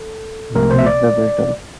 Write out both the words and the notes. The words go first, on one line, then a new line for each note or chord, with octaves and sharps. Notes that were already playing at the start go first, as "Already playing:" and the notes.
Meet the Beatles!
Already playing: A4
C2 C3 F3 A3 A#4
C5
E5
D5